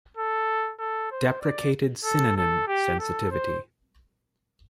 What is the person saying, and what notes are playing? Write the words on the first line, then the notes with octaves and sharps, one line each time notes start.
"Deprecated synonym" sensitivity.
A4
A4
C5
D5
A4
A4
G4
A4
C5